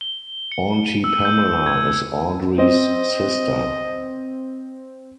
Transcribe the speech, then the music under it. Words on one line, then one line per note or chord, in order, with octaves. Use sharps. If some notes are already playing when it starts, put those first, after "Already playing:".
Auntie Pamela is Audrey's sister.
G7
C#7
D#7
E6
G6
G#6
C4 D#5